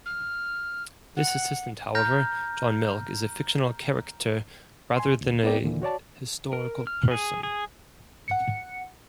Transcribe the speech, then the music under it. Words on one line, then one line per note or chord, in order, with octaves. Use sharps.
This assistant, however, John Milk, is a fictional character rather than a historical person.
F6
F#5
A#5 F6 G6 A#6
G#5 C6
D2 B2
B3 C4 E4 A#4 D5 G5
D#2 A#2 D3 E3
F#4 C#5 D5 A5
A#4
F6
G#4
G#4
F#5 C#7